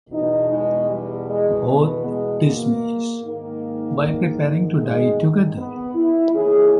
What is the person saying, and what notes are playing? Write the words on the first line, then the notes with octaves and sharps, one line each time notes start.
Both dismiss, by preparing to die together.
E2 B2 D#4
G#3
G3
G#3
B3
G#3
A#3
G#2 D#3 A#3
G#3
B3
E4
D#2 C#3 E3 G#4